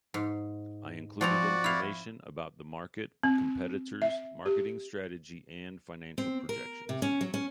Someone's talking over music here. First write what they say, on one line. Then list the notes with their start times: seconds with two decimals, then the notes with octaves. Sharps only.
I included information about the market, competitors, marketing strategy, and financial projections.
0.14 G#2
1.21 F3 C4 F#4 D5 F#5 A#5
1.64 E4 F5
3.23 C4
4.02 E5
4.46 G4
6.18 C4
6.49 A#4
6.89 C3
7.02 C#4
7.21 F#3
7.34 C#4